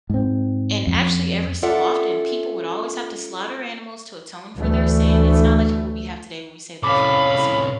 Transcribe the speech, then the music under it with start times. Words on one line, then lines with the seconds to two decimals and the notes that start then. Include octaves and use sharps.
and actually every so often, people would always have to slaughter animals to atone for their sin, it's not like how what we have today where we say, "Lord, forgive us, you know,
0.10 G#2 C4
0.87 F2
1.62 C#4 F4 A4 D5 E5 F#5
4.58 D2 E3 A3
6.83 C2 A2 C#4 F5 B5 D6